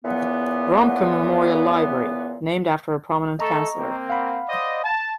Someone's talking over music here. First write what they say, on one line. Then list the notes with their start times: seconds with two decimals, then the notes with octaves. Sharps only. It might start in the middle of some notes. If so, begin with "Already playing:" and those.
Romke Memorial Library, named after a prominent Councillor.
0.05 A#2 C#3 E3 B3
3.39 A3 A4 D#5 A#5 C#6
3.77 A#3 C4
4.10 F5 F#5 B5
4.48 C5 D5 D#5
4.82 A5